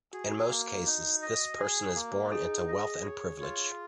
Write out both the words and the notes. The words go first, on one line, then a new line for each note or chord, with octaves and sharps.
In most cases, this person is born into wealth and privilege.
F#4 G#4
A#3
D#4
D#5
G#4
A#3
D#4 G#4
D#5
C#5
F4